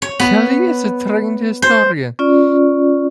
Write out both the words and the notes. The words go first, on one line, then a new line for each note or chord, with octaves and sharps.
Kelly is a trained historian.
C#5
B3
C5
C#4 F4 D5